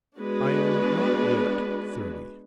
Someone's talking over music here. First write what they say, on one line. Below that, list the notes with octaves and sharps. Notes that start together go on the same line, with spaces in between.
'I am not yet thirty.'
G#3 B3 D4 F#4 B4